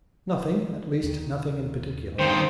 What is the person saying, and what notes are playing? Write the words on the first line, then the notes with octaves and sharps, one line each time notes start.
'Nothing, at least nothing in particular.
D#2 D#3
G2 D3 D#3 G3 C#4 C5